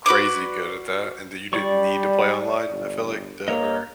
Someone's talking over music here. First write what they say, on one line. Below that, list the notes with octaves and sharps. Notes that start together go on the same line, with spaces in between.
crazy good at that and that you didn't need to play online, I feel like, to ever
F#4 B4 D5 D6
G3 D5 C#6
G1
A#3 C#5 D#5